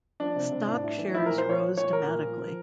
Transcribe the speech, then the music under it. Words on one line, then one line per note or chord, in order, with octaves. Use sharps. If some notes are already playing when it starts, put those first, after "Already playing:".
Stock shares rose dramatically.
F3 D4
C3
C3
A2 D4
A2
E3
F3 E4
A#2 A#4
C5
A#2 C#5
F3
A#2 C#5
A#2 A#4
A#2
F3
F3